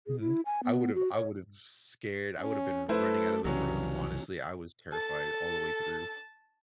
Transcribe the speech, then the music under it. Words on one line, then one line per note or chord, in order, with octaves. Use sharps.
Mhm, I would've I would've scared I would've been running out of the room. Honestly, I was terrified all the way through.
G#4
E4
G#5
B3
F#4
C#5
C#4
A3 E4 A4 B4 C5
C2 G2 C#3 E3 F#3 C#4
A4 A5